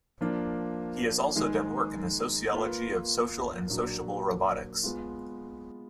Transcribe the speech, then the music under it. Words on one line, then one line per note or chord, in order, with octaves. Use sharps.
He has also done work in the sociology of social and sociable robotics.
F3 A#3 D4 F4
D#3 G#3 D#4 G#4
A#3 F4 B4
A#2 F#3 D4 F#4
G#3 B3 F4